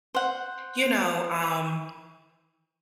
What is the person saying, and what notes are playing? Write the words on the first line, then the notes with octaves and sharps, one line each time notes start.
you know, um,
C5 F#5